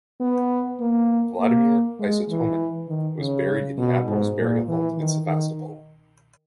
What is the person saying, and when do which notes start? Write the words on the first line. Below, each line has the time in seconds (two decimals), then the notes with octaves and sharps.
Vladimir Istomin was buried in the Admirals' Burial Vault in Sevastopol.
0.20 B3
0.80 A#3
1.39 A#3
1.99 G#3
2.29 E3
2.89 D#3
3.19 C#3
3.78 B2
4.08 G#2
4.38 A#2
4.68 E3
4.98 D#3
5.27 D#3